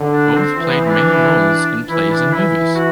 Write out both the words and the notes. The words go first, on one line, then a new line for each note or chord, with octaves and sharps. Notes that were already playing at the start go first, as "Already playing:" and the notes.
Both played many roles in plays and movies.
Already playing: D3
D4
C4
E3 C4
B3
C4
E4
D4
E3 E4
D4
E3 E4
F#4